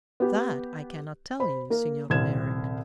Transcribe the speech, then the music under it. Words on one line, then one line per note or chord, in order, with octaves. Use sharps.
"That I cannot tell you, Signor Merrick."
B3 G4
C5 B5
A#3 A#4
D#1 C2 C4 G#6 E7